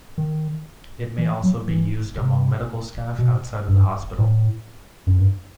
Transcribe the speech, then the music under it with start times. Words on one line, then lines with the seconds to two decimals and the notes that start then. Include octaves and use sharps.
It may also be used among medical staff outside of the hospital.
0.18 D#3
1.18 E3
1.44 F#3
1.68 E3
2.18 C3
3.19 B2
3.68 G2
4.19 A2
5.07 F#2
5.19 G2